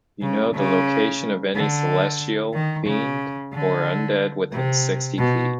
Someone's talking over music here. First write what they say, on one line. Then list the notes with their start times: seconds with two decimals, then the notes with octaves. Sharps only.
You know the location of any celestial, fiend, or undead within sixty feet.
0.22 C#3
0.54 C#3
1.54 D3
2.53 D#3
2.86 C#3
3.53 D3
4.52 C3
5.18 B2